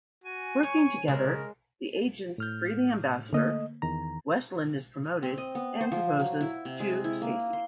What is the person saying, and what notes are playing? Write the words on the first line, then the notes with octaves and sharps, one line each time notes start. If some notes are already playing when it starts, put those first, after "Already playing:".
Working together, the agents free the ambassador; Westland is promoted and proposes to Stacy.
F#4 G#5
C#5 C#6
C#3 G#3 A#4
A2 F6 G6
D3 A3 A#3 D#5
E2 D#3 A#5
C4
D#5
B3
C5
F3
F#3
E4
C3
G#3
E4
A#3
C6